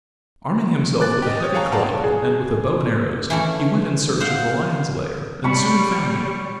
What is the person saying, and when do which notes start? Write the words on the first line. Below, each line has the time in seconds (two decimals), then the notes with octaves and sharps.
Arming himself with a heavy club and with a bow and arrows, he went in search of the lion's lair and soon found it.
1.00 D6 F#6 A6
1.22 G4 D#5
1.40 C#5 D#6
1.54 G#4 C#5 F5 G5 A5 A#5
1.72 C#5 D5 F5 F#5 A5 A#5
2.04 G#4
3.30 E3 A3 C#4
4.20 C5 F5 F#5
5.44 G3 C#5 B5